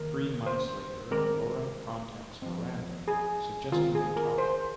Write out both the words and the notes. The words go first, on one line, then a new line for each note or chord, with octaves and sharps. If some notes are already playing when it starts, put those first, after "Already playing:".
Three months later, Laura contacts Miranda, suggesting they talk.
Already playing: D#3 A#3 A#4
C5
D#3 G#3 C4 A#4
F3 C4
G#4
D#3 G#3 C4 F4
G#4
A#4
C5